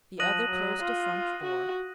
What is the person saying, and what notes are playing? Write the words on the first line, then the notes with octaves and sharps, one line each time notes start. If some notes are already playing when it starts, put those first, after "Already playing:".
The other closed the front door.
F3 D#6 F#6 A#6 D#7 F#7
F#3
F4
F#4